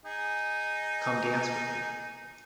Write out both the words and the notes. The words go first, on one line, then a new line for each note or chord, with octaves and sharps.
Come Dance with Me!
D#4 G#4